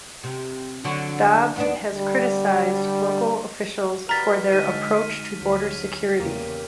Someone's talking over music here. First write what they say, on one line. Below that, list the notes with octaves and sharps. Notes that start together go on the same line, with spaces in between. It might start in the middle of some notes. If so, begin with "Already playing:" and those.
Dobbs has criticized local officials for their approach to border security.
C3
D3 F#3 F#4
D#2 B3 D4
D3 G3
G3 F#4 B4 A#5 F6 A6 B6
D3 G#3 D#4 A4 D#7
D2 F#3
E2 C#3 A#3 G4